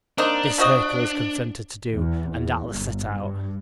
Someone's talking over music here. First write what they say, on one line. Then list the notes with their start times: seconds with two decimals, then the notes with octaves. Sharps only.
This Hercules consented to do, and Atlas set out.
0.18 A#3 C4 D4 D#4
0.58 F3 F#4 D#5
1.91 E2
2.29 E2
2.69 G1
3.18 G2